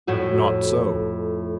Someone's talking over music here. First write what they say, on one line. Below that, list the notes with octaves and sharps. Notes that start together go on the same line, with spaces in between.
Not so.
F2 A2 F#4